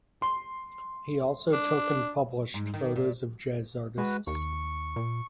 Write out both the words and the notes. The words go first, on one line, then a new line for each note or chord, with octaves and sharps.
He also took and published photos of jazz artists.
C6
D4
G#2
D#3
A#2
G#3 F#4 B4
D#2 C#6
A#2